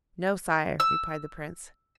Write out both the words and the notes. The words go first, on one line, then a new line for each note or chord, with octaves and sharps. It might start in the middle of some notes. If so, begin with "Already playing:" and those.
'No, sire,' replied the Prince.
E6